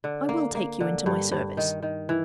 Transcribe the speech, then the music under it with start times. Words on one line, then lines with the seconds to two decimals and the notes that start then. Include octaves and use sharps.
I will take you into my service.'
0.04 D3
0.29 A#3
0.55 A#3
0.80 D3
1.06 G2
1.31 G2
1.57 D#3
1.82 D#3
2.09 E3